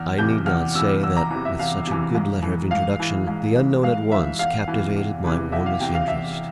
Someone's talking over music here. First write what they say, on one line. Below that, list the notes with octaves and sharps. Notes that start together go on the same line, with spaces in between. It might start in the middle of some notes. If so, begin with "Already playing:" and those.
I need not say that, with such a good letter of introduction, the unknown at once captivated my warmest interest.
Already playing: E2 F6
C3 E3 G6
E2 F6
C3 E3 E6
E2 E6
A#5
C3 E3
E5
E2 F5
C3 E3
G#2
E3
G#2 F5
E3
G#2
E3
G#2 F5
E3 E5
E2 F5
C3 E3
E2
C3 E3
E2 E5
F5
C3 E3 G5
F5
E2 E5